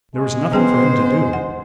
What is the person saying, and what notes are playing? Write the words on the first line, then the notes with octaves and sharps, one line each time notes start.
There was nothing for him to do.
G#3
B3 C#4 G#4 C5 G5
F#5